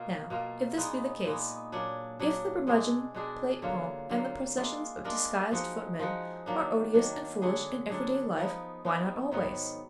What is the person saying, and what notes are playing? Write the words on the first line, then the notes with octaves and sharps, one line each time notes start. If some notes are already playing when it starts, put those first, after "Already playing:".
Now, if this be the case; if the Brummagem-plate pomp and the processions of disguised footmen are odious and foolish in everyday life, why not always?
Already playing: B2 A#3 F4 A#4
B2 A#3 F4 A#4
A#2 G#3 B3 D#4
A#2 G#3 B3 D#4
A#2 F#3 D4 G#4
A#2 F#3 D4 G#4
B2 G#3 D4 G#4
B2 G#3 D4 G#4
D3 F#3 A#3 F4
D3 F#3 A#3 F4
G#3 D4 F4 A#4
G#3 D4 F4 A#4
F3 G#3 D#4 F#4
F3 G#3 D#4 F#4
D#3 F#3 A#3 D4
D#3 F#3 A#3 D4
D3 F#3 D4 G#4
D3 F#3 D4 G#4
F3 B3 D#4 A#4
F3 B3 D#4 A#4
G#2 D#3 F#3 B3